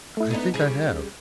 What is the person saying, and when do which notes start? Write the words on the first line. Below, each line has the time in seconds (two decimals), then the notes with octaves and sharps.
"I think I have."
0.17 A3 E4
0.31 B3 D4 D#4
0.54 G3 C#4 G#4